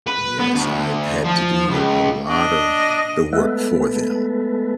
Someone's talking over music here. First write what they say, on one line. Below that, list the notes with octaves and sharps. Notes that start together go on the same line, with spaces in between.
Yes, I've had to do a lot of the work for them,
B4
B3
D2
F3
C#2
D4 D#5
G#3 A3 B3 A4 B4